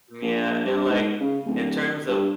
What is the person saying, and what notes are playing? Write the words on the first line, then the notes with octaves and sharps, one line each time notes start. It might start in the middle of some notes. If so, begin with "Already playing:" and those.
Yeah, and like in terms of
A#1
G2
G#2
C#3
D1
G2